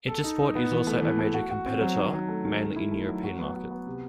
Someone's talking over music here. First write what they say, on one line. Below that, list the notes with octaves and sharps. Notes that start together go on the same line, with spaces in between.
Intersport is also a major competitor mainly in European market.
A4
D#4
D#4
B3
E3
A3
E3
A3
F#4
F#4
C4
F#3
D#3
F#3
A3
D#3
A3
E4
A3
F#3
F#4
B3
F#4
B3
C3